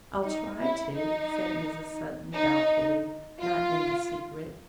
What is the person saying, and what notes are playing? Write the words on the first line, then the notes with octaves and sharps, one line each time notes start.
'I'll try to,' said Mrs. Sutton doubtfully--not in the secret.
D#4
E4
D#4
D#4
F4